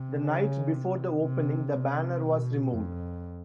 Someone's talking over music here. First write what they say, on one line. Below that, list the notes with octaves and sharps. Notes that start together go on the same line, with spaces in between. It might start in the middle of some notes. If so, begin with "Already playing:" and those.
The night before the opening, the banner was removed.
Already playing: C3
C#3
C3
C3
C3
B2
F2